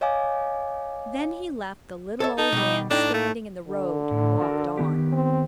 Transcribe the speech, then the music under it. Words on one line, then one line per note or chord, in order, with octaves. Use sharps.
Then he left the little old man standing in the road, and walked on.
C#5 D#5 F5 G#5 D6
A4 C#5 E5
D#4 A4
B2 G3
A2 D4 D#4 G5
A3
D3
A2
F#4 A4 A#4
D#3 B3 G4
C4